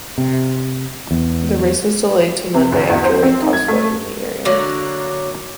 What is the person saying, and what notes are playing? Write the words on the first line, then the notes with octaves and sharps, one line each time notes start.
The race was delayed to Monday after rain caused flooding in the area.
C3
E2
C3
D2
E2
C5
C4
D#4
G#6
A3
D3 F#3 A#3